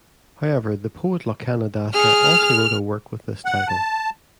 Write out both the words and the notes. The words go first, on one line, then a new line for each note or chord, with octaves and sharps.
However the poet Lochana Dasa also wrote a work with this title.
G#4 F6
F#5
A5